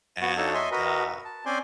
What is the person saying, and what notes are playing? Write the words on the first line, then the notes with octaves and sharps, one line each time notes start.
and, uh,
B3 F#4 F#5
D4 D#4 F#4 A4 C#5
C#5 D#5 E5 G#5 C6
F#4 A#4 B4 D#5
A5
C4 C#4 C5 D5 G#5 C6